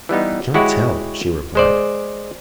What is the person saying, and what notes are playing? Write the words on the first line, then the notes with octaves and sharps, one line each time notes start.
"I cannot tell," she replied.
E3 G3 B3 D#4
G#3 E4 F#4 G4 C#5 F#5
G#3 C5 D5